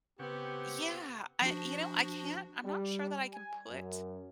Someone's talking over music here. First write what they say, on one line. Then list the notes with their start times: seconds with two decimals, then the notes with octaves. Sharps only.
Yeah. I you know, I can't I'm not sure that I can put
0.19 C#3 B3 C4 G4 F#5 G5 C#6
1.42 F3 D4 F#4
2.64 G3
3.34 G#5
3.71 F#2